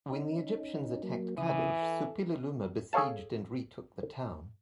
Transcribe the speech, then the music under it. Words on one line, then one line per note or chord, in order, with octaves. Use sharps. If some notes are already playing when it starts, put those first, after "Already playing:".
When the Egyptians attacked Kadesh, Suppililiuma besieged and retook the town.
C#4 D#4
F#3 A#3
C#3 E3 E4 D#6
A4
G#4 A4 C#5 F5 A5